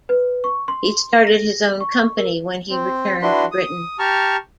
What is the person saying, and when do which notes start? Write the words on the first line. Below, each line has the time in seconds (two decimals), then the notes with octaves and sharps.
He started his own company when he returned to Britain.
0.09 B4
0.44 C#6
0.68 C6
1.27 A#6
1.80 C#6
2.18 A#4
2.70 C4
3.22 D4 E4 F#4 B4 C6
3.52 D#6
3.99 G4 A5 A#5 C#6 F6